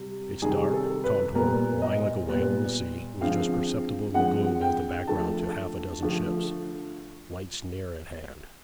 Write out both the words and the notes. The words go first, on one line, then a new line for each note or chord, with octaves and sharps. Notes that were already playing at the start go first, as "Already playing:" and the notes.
Its dark contour, lying like a whale on the sea, was just perceptible in the gloom as the background to half-a-dozen ships' lights nearer at hand.
Already playing: C3 G3
C3 D#3 G3 G#4
A4
B4
A#2 G3 B3 A#4
D#5
A#2 G3 B3
D3 F3 G#3 C4 F5
D3 F3 G#3 C4 F#5
G5
D3 F3 A3 A5
D3 F3 A3